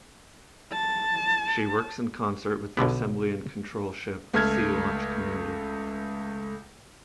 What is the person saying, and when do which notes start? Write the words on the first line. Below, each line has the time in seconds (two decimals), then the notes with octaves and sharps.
She works in concert with the assembly and control ship "Sea Launch Commander".
0.73 A5
2.77 B1 B2 D3 B3
4.34 C#2 A3 A4 F6 G#6